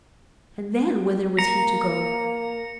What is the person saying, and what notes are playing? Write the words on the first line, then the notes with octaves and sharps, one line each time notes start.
And then, whither was he to go?
A#3 A#5 C#7